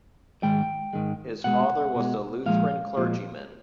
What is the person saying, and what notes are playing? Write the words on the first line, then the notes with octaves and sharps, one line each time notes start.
His father was a Lutheran clergyman.
G#2 D#3 G#3 G5
G#2 D#3 G#3
B2 G#3 F#5
B2 G#3
A#2 F3 G#3 F5
A#2 F3 G#3